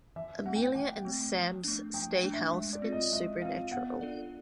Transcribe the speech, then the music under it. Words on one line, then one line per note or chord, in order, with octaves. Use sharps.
Amelia and Sam's stay house in Supernatural.
E3 E5
A3 C4 F#5
G5
E3 G5
A3 C4
F3
A3 D4
F3 G5
A3 D4
E5
G#3
D5
C4 F4
D#5
G#3 E5
C4 F4 F5
B3 F#5
D4 F4 A4 D5